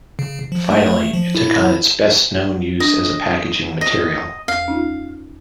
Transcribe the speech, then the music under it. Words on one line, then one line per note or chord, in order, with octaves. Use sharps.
Finally, it took on its best-known use as a packaging material.
C#3
F3
A3
F3
E4
D4 D#5
D#5
E2 F5
C#4 D#4 F4